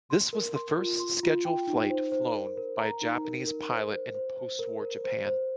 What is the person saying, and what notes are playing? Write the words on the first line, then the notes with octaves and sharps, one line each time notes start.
This was the first scheduled flight flown by a Japanese pilot in postwar Japan.
C6
A#4
C6
F4
C6
F4
G5
D#4
C5
C5
A#4
A#4
A#5
D#4
A#4
A#4
C5
C5
C5
C5
A#4
A#4
C5
C5